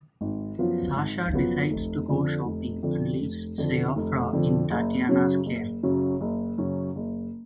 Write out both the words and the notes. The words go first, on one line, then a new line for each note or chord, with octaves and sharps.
Sasha decides to go shopping and leaves Sioffra in Tatiana's care.
G#1
F#2 F3 B3 F4
G#1
F#2 F3 B3 F4
F1
F2 D3 F3
F1
F2 D3 F3
F1
F2 D3 F3
F1
F2 D3 F3
F#1
F#2 C#3 F#3 C#4
F#1
F#2 C#3 F#3 C#4
F#1
F#2 C#3 F#3 C#4
F#1